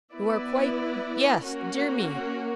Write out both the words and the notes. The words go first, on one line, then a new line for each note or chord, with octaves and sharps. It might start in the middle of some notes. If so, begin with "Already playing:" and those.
You are quite--yes--dear me!'
B3 E4 B4 D5
A#3 C#4 F#4 A#4